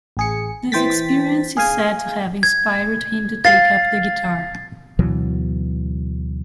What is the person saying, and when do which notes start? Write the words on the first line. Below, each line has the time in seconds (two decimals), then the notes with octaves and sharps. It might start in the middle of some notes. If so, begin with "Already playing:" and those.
This experience is said to have inspired him to take up the guitar.
0.17 A1 G#4 C#7
0.72 E3 C5 G5 A6 B6
1.57 G#4 F5 G#5
2.43 G#6
3.45 F5 A6 C7
4.99 D2 B2 E3 F#3